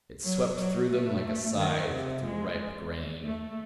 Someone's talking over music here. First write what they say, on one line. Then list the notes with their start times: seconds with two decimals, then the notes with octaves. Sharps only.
It swept through them like a scythe through ripe grain.
0.23 F#3
0.57 F#3
0.91 A3
1.57 D#3
1.90 C3
2.24 G#3
3.25 A3